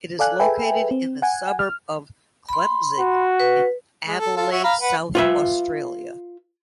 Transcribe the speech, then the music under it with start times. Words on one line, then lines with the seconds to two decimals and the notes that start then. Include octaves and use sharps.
It is located in the suburb of Klemzig in Adelaide, South Australia.
0.19 A4 D5 F5 G#5 F#6
0.40 G#4 A4 B4 E5 G5 G#5
0.91 C4
1.22 F#5 G#5
1.59 F6
2.49 B5 C6
2.99 F#4
3.40 B4
4.08 G#3
4.19 A4
4.37 F4 A4
4.52 F#4 C#5 E5
4.64 F5 A#5 B5
4.81 B4 F#5
5.15 F4 B4 E5